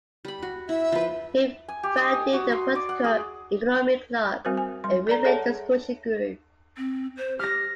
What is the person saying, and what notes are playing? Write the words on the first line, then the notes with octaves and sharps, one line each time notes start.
He founded the Political Economy Club, a weekly discussion group.
G3 B5
F#4
E4 E5
F3 B4
G#5
G4
D#5
G#5
F#4
C6
D5
F#5
G#4
G3 C4 F#4 A#4 C5
G#5
G3 C6
A4 D5 A#5
G#4 A4 C#5 E5 F#5 A5
C4
C5
G4 F6 A#6